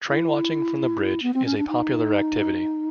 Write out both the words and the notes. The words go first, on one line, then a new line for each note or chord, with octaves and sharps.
Trainwatching from the bridge is a popular activity.
E4
B3
C4
C#4
D4
D#4